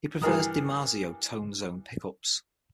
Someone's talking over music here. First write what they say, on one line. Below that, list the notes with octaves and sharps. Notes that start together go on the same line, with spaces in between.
He prefers DiMarzio Tone Zone pickups.
G2 E3 G#4 A#4 A#5 D#6